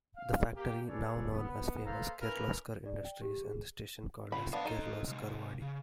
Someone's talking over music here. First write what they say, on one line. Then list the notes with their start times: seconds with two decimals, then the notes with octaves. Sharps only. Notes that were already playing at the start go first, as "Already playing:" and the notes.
The factory now known as famous Kirloskar Industries and the station called as Kirloskarwadi.
0.16 F5
0.56 A#3 G4
0.88 G#4 A4 B4 C#5 D5
1.31 B3
1.86 A#3 A4 B4 C5 F5 A#5
2.21 C#4 E4 F4 A#4 B4
2.86 D5
3.05 G5
3.22 G4
3.42 G#4
4.32 G#2 C#3 F4 B5
4.53 B3 D4 C5 D#5 F5
4.65 D#4 A4 C5
5.07 C3 G#3
5.62 C#3